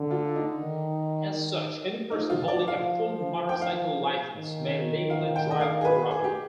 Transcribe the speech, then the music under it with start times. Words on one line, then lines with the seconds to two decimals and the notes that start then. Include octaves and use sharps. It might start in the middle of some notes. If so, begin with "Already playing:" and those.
As such, any person holding a "full motorcycle licence" may legally drive a Robin.
Already playing: D3
0.11 F4
0.36 D#4
0.61 D#3
1.36 D#3
2.11 F3 D#4
2.30 F4
2.48 D5
2.67 F5
3.49 G5
3.61 F5
4.36 D#3
5.10 F5
5.36 G5
5.51 D#5
5.61 F5
5.81 G#4
5.85 B4
6.11 G#4
6.24 G4